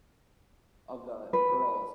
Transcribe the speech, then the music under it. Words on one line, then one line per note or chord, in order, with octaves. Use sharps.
of the girls.
B4